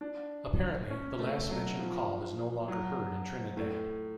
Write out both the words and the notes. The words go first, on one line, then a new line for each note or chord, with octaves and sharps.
Apparently, the last mentioned call is no longer heard in Trinidad.
D4
C#4
A3
F#3
F3
F#3
A2